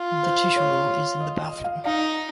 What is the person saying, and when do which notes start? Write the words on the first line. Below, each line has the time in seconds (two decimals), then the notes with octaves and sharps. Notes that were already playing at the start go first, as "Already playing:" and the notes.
The tissue roll is in the bathroom.
Already playing: F4
0.23 C5
0.56 C#5
1.21 D#5
1.42 D#5
1.64 F5
1.85 D#4 F5